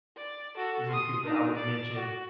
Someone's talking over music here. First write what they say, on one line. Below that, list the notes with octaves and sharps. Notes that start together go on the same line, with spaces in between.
These are the people that I would mention
D5
F#4 A4
C6 D#6
D4 D#4
D5
F#4